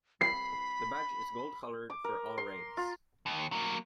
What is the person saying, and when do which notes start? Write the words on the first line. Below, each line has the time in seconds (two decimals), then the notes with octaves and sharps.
The badge is gold colored for all ranks.
0.21 B5 C7
1.90 D6
2.04 A#4
2.38 C6
2.77 F4
3.26 D#2
3.52 F#3 A#3